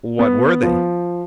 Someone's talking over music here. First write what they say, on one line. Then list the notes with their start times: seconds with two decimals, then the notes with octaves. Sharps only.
"What were they?"
0.19 B3
0.63 F3